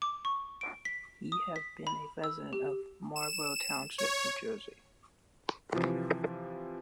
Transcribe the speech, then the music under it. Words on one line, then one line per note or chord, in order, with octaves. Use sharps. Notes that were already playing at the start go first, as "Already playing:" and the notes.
He has been a resident of Marlboro Township, New Jersey.
D6
C#6
D7
B6
D#6
B6
B5
E6
G4
E7
C#5
C3 E3 F3 F4